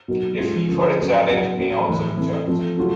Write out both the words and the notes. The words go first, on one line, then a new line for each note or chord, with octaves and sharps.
A fee for a challenge may also be charged.
B2 F#3 A#3 D#4
G#3 C#4 F4
D3 F3 A#3 C#4
A2 F#3 A#3 C#4
C#3 F#3 B3 E4 G#4
A2 F#3 A#3 C#4 F#4
A2 E3 A3
E3 A3 C4
F3 A3 C4
C#3 F#3 A3 C#4 F4